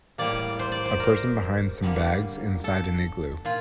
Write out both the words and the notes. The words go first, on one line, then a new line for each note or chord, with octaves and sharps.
A person behind some bags inside an igloo.
A2 G3 A#3 D5
C5
D5
C5
A#4
D3 G3 A#3
A4
A#2 F4